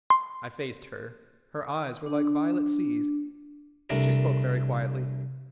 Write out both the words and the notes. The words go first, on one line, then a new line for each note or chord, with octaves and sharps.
I faced her; her eyes were like violet seas. She spoke very quietly.
C6
D4
C2 A3 D4 A#4